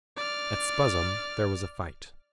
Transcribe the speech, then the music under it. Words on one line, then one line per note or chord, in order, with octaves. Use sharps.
At Spuzzum there was a fight.
D5 F6